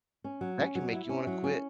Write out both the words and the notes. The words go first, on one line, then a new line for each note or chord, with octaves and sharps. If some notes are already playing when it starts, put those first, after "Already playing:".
that can make you wanna quit.
C#4
F#3
C#4
F#3
E4
C#4
F#3
C#4